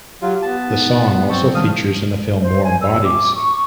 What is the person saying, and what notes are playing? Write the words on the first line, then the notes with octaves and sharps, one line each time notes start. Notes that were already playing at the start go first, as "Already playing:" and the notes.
The song also features in the film "Warm Bodies".
F#3 F4 G4
B3 A5
D#4
F#3 C4 A5 C#6
E3 G3 G#3 F5 A5 D#6
C5
G#5
E6
D6
C#6